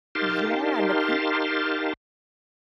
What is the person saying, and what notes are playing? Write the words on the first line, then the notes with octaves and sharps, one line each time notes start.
Yeah, and the people.
D#4 G4 A#4 F5 A5 C6